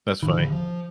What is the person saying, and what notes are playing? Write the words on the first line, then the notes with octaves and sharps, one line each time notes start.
That's funny.
E1 A2 D3 D#3
F3